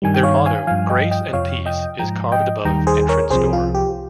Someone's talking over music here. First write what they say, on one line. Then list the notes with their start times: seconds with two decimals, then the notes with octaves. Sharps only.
Their motto "Grace and Peace" is carved above entrance door.
0.02 G2 D#3 G3 G#5
0.14 G5
0.23 C#5 F5
0.45 F5 G#5
0.67 G2 F3 F5 G#5
0.90 D#5 G5
1.11 D#5 G5
1.33 F2 C3 F3 C#5 F5
1.66 D#5 G5
1.99 G#2 F3 G5 A#5
2.32 D#5 G5
2.65 D#2 D#3 G3 G5 A#5
2.87 G#4 C5
3.09 A#4 C#5
3.30 C2 C3 F3 G#4 C5
3.53 F4
3.75 G4